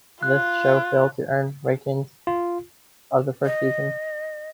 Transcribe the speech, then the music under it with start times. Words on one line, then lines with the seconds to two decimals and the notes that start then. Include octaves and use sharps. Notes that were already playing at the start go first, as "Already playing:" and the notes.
This show failed to earn the ratings of the first season.
0.23 F4 F#6
2.27 F4
3.45 D#5